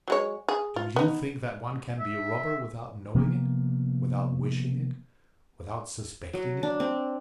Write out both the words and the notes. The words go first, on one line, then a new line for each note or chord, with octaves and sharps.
Do you think that one can be a robber without knowing it, without wishing it, without suspecting it?
F#3 G#3 C#5
G#4
F4
B3 D#4
E5
C3 F3 A#3 B3
F#3
D4
C4